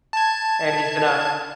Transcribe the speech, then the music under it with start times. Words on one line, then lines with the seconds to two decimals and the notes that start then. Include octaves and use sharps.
and he's gonna
0.13 A5 G#6